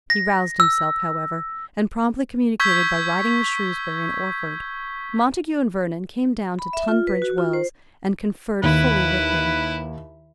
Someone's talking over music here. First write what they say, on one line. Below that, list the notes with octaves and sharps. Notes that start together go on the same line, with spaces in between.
He roused himself, however, and promptly communicated by writing with Shrewsbury and Orford. Montague and Vernon came down to Tunbridge Wells, and conferred fully with him.
A#6
E6
C#6 E6 G6 G#6 B6 G7
B5
E5
F4
B4
F#4
F4
C5
D#2 E4 B4